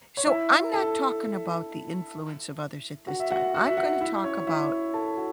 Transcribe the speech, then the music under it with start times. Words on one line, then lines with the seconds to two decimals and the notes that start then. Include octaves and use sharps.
So I'm not talking about the influence of others at this time. I'm gonna talk about
0.17 C#5
0.26 E4 E5
0.73 A4 A5
3.07 F#4 F#5
3.20 E5
3.30 F#4 F#5
3.54 F#4 F#5
3.66 E5
3.77 F#4 F#5
4.01 E4 E5
4.24 C#4 C#5
4.47 E4 E5
4.94 A4 A5
5.17 F#4